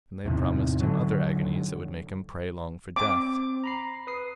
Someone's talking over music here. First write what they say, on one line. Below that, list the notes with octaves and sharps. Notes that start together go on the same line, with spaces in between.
And they promised him other agonies that would make him pray long for death.
E2 A2 C3 D#3
G#2 D3 F#3
C4 D6
A#5 B5 C7
B4 D#6 C7